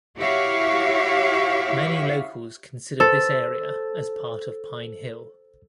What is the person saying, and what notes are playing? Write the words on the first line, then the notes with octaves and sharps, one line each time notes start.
Many locals consider this area as part of Pine Hill.
E4 F#4 G4 C#5 E5 F5
A4 C5